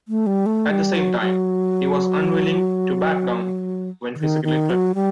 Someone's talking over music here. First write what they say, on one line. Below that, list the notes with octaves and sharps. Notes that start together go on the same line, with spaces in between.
At the same time, he was unwilling to "back down" when physically threatened.
A3
G3
A3
G3
F#3
F#3
D3
D#3
D#3
F#3
G3